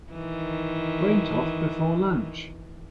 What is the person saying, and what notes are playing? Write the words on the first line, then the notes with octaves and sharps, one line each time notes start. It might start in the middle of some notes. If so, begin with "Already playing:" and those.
Went off before lunch.
D#3 E3